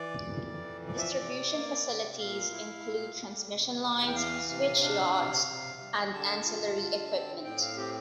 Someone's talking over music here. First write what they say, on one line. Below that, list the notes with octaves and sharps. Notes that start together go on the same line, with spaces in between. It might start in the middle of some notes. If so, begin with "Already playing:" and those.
Distribution facilities include transmission lines, switchyards and ancillary equipment.
Already playing: E3 D5
F2
E3
F3 D5
E5
D5
C3
A#3
C3
A#2 F5
E4
A#2
G3
C3
E2
G5
E3 F5
C3 F5
D4 F5
C3 F5
C3
G3
D3 A5
F4
D3
C4
A2 G5
F5
C4 G4